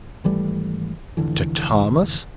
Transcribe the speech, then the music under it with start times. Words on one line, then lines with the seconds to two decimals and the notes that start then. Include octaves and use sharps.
To Thomas!
0.24 G#1 E3 G3 A3
1.17 F1 D3 E3